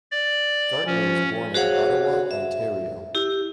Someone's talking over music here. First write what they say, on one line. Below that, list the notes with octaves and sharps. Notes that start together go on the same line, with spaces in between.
Gartner was born in Ottawa, Ontario.
D5
F3 C#4
F#4 G#4 C5 C#5 F5 F#5
E5
E4 G4